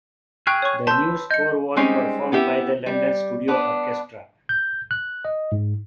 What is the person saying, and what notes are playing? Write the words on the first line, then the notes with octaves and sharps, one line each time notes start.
The new score was performed by the London Studio Orchestra.
G#4 G5 C#6 F6 F#6
C#5 C#6
B4 A5 C6 E6 G6
D#5 G6 C#7
G3 G#3 C4 C#4 D#4
B3 E4 G4 E5
G3
B3 D4 B4
G6
F#6
D#5
G#2